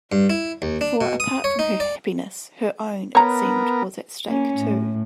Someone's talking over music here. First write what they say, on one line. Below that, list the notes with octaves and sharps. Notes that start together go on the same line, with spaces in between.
For apart from her happiness, her own, it seemed, was at stake too.
G2
E4
D#2
D4
B2
D#6
C#5
D#4
D5
B3 A#4 C#5 A#5
A#3 C#4
A2